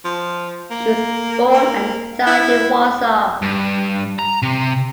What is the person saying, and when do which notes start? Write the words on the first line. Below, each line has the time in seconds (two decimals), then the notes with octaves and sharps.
She was born and died in Warsaw.
0.05 F3
0.70 A#3
1.54 A#3
2.27 E4
3.42 G2
4.19 A#5
4.42 C3